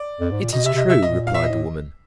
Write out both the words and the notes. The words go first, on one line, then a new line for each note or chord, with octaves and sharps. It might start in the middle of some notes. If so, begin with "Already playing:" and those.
"It is true," replied the woman.
Already playing: D5
F2
G#2
A#2
B2 D#5
C3 E5
C3
D#5
C3 E5
A#2 D#5
F5
E5
D#5
A2